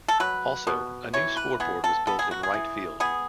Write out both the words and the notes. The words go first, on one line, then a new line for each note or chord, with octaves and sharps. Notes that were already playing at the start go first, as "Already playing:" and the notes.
Also, a new scoreboard was built in right field.
A4
F#3 B4
B2
E3 C#5
B4
B3 G#4
A4
B3 A4
G#4
F#4
G#4
E3
B3 G#4